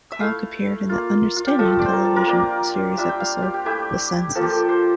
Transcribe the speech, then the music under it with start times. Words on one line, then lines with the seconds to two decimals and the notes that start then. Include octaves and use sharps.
Cog appeared in the "Understanding" television series episode "The Senses".
0.12 E5
0.20 A3 E4 F5
0.89 A#3 F4
1.36 F4
1.47 G4
1.58 F3 A3 C4 F4 A4
1.79 D5
1.85 C5
1.93 A#4
2.05 A4
2.16 A#4
2.27 A#3 D4 F4 D5
2.97 G3 D4 F4 E5
3.09 G5
3.20 F5
3.42 G4
3.54 G4
3.65 A3 E4 G4
4.35 F3 A#3 F4 A4
4.43 G4
4.50 A4
4.69 C5